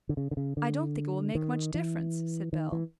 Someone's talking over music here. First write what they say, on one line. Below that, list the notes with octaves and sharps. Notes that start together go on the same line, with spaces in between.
"I don't think it will make much difference," said Bell.
D3
C#3
D3
C#3
D3
D#3
E3
D#3
E3